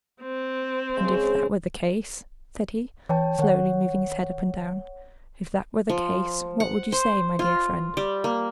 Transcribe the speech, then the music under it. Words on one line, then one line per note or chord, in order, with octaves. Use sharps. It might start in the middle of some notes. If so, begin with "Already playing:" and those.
"And if that were the case," said he, slowly, moving his head up and down, "if that were the case, what would you say, my dear friend?"
C4
C#3 G#3 C#6
E3 C#5 G5 A5
D#3 C#5 F#5
F3
F#5
C5
F4
G3
A#3